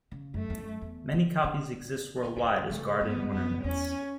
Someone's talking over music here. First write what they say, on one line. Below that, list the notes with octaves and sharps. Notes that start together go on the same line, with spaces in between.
Many copies exist worldwide as garden ornaments.
C#3
F#2 A3
E2
F#2
E2
C#3
D3
C#3 A3
G2 B3
F#2 B3
E2 C#4